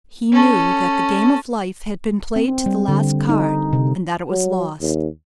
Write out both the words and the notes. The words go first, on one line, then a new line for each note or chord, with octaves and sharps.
He knew that the game of life had been played to the last card, and that it was lost.
C#4 A4
C4
G3
D3
D#4
C3
F#3
D#2